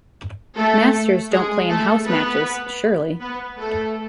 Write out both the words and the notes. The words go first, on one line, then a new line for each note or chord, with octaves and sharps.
Masters don't play in house matches, surely?
A3 A4
G#3 G#4
A3 A4
B3 B4
B3 B4
A3 A4